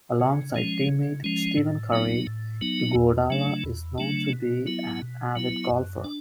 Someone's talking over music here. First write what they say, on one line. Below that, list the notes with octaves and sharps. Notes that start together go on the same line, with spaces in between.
Alongside teammate Stephen Curry, Iguodala is known to be an avid golfer.
C#3
F3 G#3 C#4
C#3
F3 G#3 C#4
A2
F#3 B3 D#4
A2
F#3 B3 D#4
E2
C#3 F#3 A3 D4
E2
C#3 F#3 A3 D4
B2
F#3 B3 E4
B2
F#3 B3 E4
F#2
D4